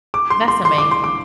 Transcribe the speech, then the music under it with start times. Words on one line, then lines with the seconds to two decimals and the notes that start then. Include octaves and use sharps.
That's amazing.
0.14 D6
0.30 C6
0.48 C6
0.65 C6
0.78 D6
0.91 C6
1.04 D6